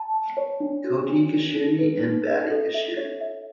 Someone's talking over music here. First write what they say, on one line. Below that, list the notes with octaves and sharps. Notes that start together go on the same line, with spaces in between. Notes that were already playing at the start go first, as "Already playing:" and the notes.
Choti Kacheri and Badi Kacheri.
Already playing: A5
A5
C#5
D4
F#4
D4
D4
D#4
B4
D#4
D#5
A4
E5
C#5
E5